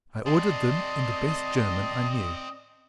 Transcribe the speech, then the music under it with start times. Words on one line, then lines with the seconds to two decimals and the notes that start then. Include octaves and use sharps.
I ordered them in the best German I knew.
0.26 C4 G#4 D5 D#5 A5 C6